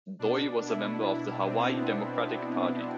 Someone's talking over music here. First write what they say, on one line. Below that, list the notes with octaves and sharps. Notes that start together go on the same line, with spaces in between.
Doi was a member of the Hawaii Democratic Party.
B2 D4
E4
E4
C4
B3